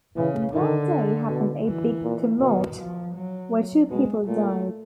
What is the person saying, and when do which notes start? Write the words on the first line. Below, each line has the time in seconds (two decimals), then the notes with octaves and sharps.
On that day happened a big tumult, where two people died.
0.16 C#3 E3
0.53 D3 D#3
1.28 B2
1.65 E3
2.03 A#2
2.40 B2 D#3
2.78 F3
3.15 F#3
3.89 B2 G#3
4.27 A#2 A3